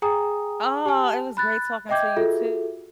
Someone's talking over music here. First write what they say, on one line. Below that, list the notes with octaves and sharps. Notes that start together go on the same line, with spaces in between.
Aw, it was great talking to you too.
G#4 G5 G#5 A#5 D#6
G4 G#5 A5 F6
B5 F#6 A6
D#5 E5 G5 D6 G6 G#6
F4 F#4 G#4 A4 E5